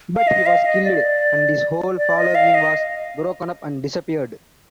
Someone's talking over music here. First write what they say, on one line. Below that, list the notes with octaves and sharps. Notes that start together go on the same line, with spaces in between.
But he was killed and his whole following was broken up and disappeared.
F5
D#5
F5
D#5
D5
D5
D#5
F5
D#5